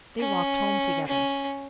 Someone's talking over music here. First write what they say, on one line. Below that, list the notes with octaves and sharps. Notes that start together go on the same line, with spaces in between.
They walked home together.
C#4
C#4